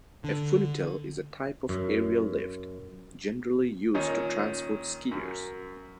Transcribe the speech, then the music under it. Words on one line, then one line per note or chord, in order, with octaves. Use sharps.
A funitel is a type of aerial lift, generally used to transport skiers.
D3
F#2
A#2 D#3 C#4 D#4
F#2